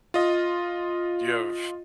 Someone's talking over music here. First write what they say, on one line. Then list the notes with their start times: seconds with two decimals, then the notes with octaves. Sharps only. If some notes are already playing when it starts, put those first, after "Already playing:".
do you have
0.14 F4 D#5